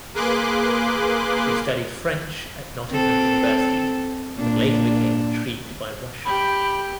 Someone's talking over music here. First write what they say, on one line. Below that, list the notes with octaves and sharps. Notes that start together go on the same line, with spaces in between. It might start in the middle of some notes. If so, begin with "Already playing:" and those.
She studied French at Nottingham University but later became intrigued by Russian.
A#3 G#4 B4 C6 D6 F#6
C4 A4
A#2 D4
G4 G5 B5